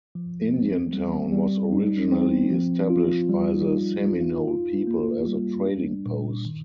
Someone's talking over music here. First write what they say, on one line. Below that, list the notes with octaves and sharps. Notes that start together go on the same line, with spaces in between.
Indiantown was originally established by the Seminole people as a trading post.
F3
C4
G3
G3
D#4
C4
F3
F4
G3
D#4
F4
F4
A#3
G3
D4
A#2
D#3